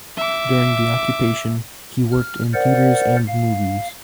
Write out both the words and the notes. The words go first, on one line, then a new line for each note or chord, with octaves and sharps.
During the occupation, he worked in theaters and movies.
E5 D6
F6
A#4 C5 D5 F#5
F5